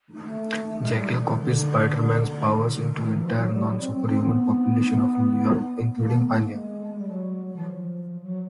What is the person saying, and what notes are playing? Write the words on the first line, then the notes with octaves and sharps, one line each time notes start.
Jackal copies Spider-Man's powers into the entire non-superhuman population of New York, including Anya.
A3
G#3
G3
F3
D#3
D3
D#3
D3
D#3
E3
F3
F#3
G3
F#3
C4
C4
C4
B3
A#3
B3
A#3
A3
G#3
G3
F#3
E3
F3
F#3